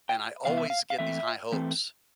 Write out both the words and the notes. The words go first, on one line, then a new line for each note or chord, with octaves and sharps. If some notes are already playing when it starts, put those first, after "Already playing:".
And I always get these high hopes
G5
C3 E3 B3 F5
E5
F5
F5
E3 A3 C4 E5
E3 A3 C4